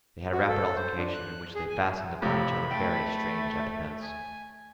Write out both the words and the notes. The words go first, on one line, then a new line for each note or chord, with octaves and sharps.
They had a rapid altercation, in which they fastened upon each other various strange epithets.
F#4
A4
C5
D4
F#6
G#4
G#5
F2 A2 C3 B5
A3 G5
G#5